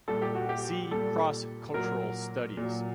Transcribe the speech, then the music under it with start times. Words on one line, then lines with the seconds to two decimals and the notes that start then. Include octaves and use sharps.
See Cross-cultural studies.
0.08 A#2 G3 A4
0.22 G4
0.35 F#4
0.49 G4
0.91 A#2 G3 A4
1.74 A#2 F#3 A#4
2.57 A#2 F#3